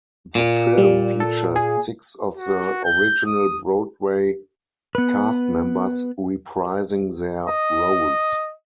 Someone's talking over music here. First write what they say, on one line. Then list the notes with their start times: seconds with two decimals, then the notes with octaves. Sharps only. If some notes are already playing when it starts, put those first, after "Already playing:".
The film features six of the original Broadway cast members reprising their roles.
0.35 A#2
0.78 G3
1.20 A4
1.56 G#4
2.37 F#4
2.84 G6
3.26 D#6
4.95 B3 B4
7.47 D#5